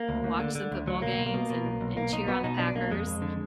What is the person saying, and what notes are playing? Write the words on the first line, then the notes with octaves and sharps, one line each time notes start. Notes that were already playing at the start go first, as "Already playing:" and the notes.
watch some football games and and cheer on the Packers,
Already playing: A#3
D2
D2
D3
D3
D2
D2 F#3
B1 A#3
B1
A#3
B2
B2
B1
B1
B1 A#3
B1 D#4
B2 B3
B2 D#4
B1 D4
B1 A#3
F2 G#3
F2
D3